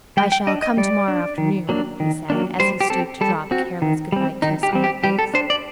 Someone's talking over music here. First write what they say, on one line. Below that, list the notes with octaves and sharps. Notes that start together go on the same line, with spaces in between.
"I shall come tomorrow afternoon," he said, as he stooped to drop a careless good-bye kiss on her face.
G3 G5
G5
D4 D#5
D#5
G3 D5
D4
D#3
F#3 A#3 D4
D#3
F#3 A#3 D4
G3 C5
G4
C4 A4
G3 A4
C4 F#4
D#3
G3 C4
D#3 D#4
G4
G3 C4
G4
G3 G4
A4
D4 C5
D5